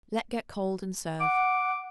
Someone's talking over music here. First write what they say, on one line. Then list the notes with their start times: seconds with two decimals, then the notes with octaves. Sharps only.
Let get cold and serve.
1.21 F#5 D6